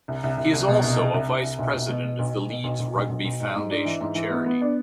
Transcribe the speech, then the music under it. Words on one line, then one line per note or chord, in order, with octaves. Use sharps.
He is also a Vice President of the Leeds Rugby Foundation charity.
C2
C2
C2
C2
B2
C2
C2
C2
C2
C2
B1
B1
B2
B2
B1
B1
B2
B1
B1
B1
B1
B1
G#2
G#2
D4
E3
G#2
E3
B3
B3
D4